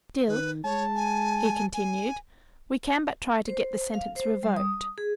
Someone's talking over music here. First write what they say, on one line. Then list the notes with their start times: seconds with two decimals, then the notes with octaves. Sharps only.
Still," he continued, "we can but try to get the sentence revoked.
0.28 D#3 B4
0.64 G#3 C#5 A5
0.96 G#5
1.74 G#5
3.48 C5
3.94 F5
4.16 C5
4.43 G3
4.56 D#6
4.98 G#4